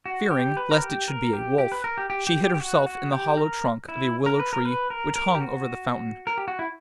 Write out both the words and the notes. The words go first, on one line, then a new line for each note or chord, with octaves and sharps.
Fearing lest it should be a wolf, she hid herself in the hollow trunk of a willow tree which hung over the fountain.
F#4
G4
B4
A#4
G4
A#4
G4
G4
B4
A#4
G4
G4
G4
G4
G4
F#4
F#4
G4
A#4
E4
A#4
B4
A#4
B4
A#4
A#4
G4
F#4
A#4
G4
F#4
E4